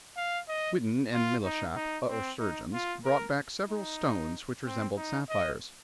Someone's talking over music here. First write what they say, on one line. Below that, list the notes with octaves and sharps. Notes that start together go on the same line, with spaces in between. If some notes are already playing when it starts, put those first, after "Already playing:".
Whiddon and Milechappe, our surgeon, brought back several stones which resembled sapphires.
F5
D#5
F4
D#4
D#4
C4
D#4
F4
A#4
D#4
C4
D#4
D#5